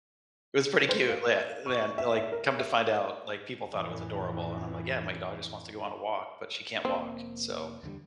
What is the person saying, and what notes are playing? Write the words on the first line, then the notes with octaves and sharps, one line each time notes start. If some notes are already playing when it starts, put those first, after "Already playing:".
It was pretty cute, le and la and then, like, come to find out, like, people thought it was adorable, and I'm like, "Yeah, my dog just wants to go on a walk, but she can't walk, so
C5
F5
C#6
E5
E5
A#4
E5
F2 A2 E3
F1 A#3 C4
E2 D3 G3